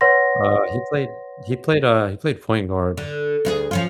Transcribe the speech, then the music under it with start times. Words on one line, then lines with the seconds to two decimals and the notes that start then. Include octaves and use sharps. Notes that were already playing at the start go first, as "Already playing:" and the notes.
Uh, he played he played, uh, he played point guard
0.01 B4 C#5 F#5 C6 A#6
2.97 D3
3.45 D2 F4 G#4
3.71 F3 C#4 F4